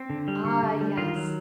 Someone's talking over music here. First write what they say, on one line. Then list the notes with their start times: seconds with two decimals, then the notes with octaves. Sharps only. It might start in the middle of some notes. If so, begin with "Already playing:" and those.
Ah, yes.
Already playing: C4
0.10 D3
0.28 G3
0.45 D3
0.63 D3
0.81 G3
0.97 D#3 F4
1.15 F#3